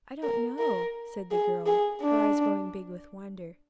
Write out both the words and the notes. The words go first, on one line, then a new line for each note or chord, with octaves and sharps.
"I don't know," said the girl, her eyes growing big with wonder.
A#4
A#4
G#4
G#4
D4